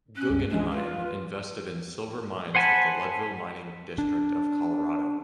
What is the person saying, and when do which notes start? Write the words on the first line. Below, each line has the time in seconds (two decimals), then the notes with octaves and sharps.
Guggenheim invested in silver mines of the Leadville mining district of Colorado.
0.16 C#4 F#6
0.30 C#2 G2
0.50 E3 F3 G#3 D4
0.70 F4 B4
2.55 C5 F#5 G#5 A5 B5
3.98 D4